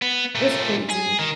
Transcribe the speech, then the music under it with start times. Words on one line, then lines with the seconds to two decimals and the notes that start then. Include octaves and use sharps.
it was crazy.
0.02 B3
0.35 A#2 A3
0.90 G#4
1.19 D#3